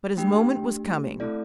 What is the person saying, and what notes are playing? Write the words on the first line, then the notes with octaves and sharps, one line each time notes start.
But his moment was coming.
A3 D4 G4 G5
A3 C4 E4 A4 D5